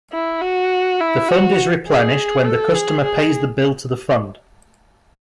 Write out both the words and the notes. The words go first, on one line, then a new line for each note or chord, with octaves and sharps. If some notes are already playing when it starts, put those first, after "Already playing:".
The fund is replenished when the customer pays the bill to the fund.
E4
F#4
E4
F#4
G#4
A4
G#4
G#4